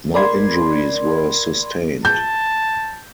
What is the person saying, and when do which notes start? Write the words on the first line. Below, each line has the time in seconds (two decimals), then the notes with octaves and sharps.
No injuries were sustained.
0.14 A#4 D5 B5 C6 G#6
2.05 A5 G6